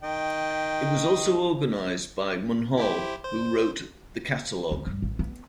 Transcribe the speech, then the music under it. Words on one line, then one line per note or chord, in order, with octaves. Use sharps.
It was also organized by Munhall, who wrote the catalog.
D#3 D#5 G5
E4 G4 C5
C5
D2
G2
A1
B3